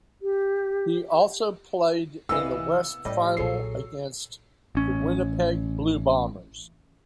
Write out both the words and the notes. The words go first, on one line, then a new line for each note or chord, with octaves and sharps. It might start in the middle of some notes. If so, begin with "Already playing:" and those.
He also played in the West Final against the Winnipeg Blue Bombers.
G4
C2 C#3 E3 B3 D#5 F5 E6
A2 G3 C#4 D#5
B1 A#2 F#3 G#4 A4 C7
A1 C#4